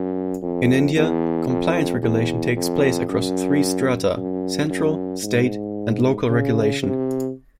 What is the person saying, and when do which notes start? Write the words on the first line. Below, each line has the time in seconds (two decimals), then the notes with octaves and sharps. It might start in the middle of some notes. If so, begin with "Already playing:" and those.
In India, compliance regulation takes place across three strata: Central, State, and Local regulation.
Already playing: F#2
0.42 F2
0.96 E2
1.49 F2
2.02 E2
2.56 F2
3.09 F#2
4.16 F#2
4.69 F#2
5.23 G#2
6.29 C#3
6.83 C3